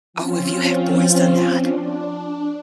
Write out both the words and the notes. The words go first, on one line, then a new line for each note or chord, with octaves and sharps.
Oh, have you had boys done that?
F3 C4 C#4 F4
D4